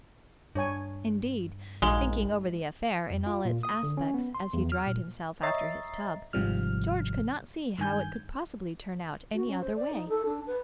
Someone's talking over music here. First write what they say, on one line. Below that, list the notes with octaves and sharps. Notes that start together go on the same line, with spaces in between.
Indeed, thinking over the affair in all its aspects as he dried himself after his tub, George could not see how it could possibly turn out any other way.
G2 D4 C#5 G#5
A#1 G#3 D#4 F#4 F5
F2
F4
A#2
D#6
D3
C#4
B3
C6
E2
F6
A#2
C#5 D#5 E5 A#5 A6 C7
G#1 G#2 C3 F3 G3 F6
G2 D#3 G#5 G6
F#4
C#4
C5
D5
D#4
A4
D4
B4